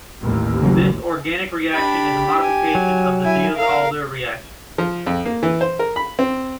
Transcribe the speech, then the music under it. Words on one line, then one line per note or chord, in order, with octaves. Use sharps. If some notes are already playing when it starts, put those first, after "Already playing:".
This organic reaction is a modification of the Diels-Alder reaction.
A1 D#2
C#3 F#3
D4 G4 B5
G#5
F#3
E4 G#5
A#4 F5
F3
F2
A#3
E3
C5
A#4
B5
C4